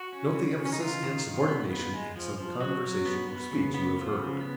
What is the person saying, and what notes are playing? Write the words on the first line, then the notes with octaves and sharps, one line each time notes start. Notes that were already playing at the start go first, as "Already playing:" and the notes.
Note the emphasis and subordination in some conversation or speech you have heard.
Already playing: F#4
C#4
C#3
C#3
C#4
D#4
D#3 F4
D#3
D#3
B3
B3
G#3
F3
F3
F#3 F#4
F#3
B3
B3
C#3
B3
F3
C#3
B3